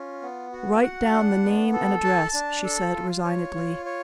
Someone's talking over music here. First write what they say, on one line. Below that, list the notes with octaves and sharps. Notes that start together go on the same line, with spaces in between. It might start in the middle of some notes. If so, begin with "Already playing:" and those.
"Write down the name and address," she said resignedly.
Already playing: C#4 F4
B3
F#4
F#5
D4
B3
A4
A5
D4
A4
F4
C#5
F4
C#5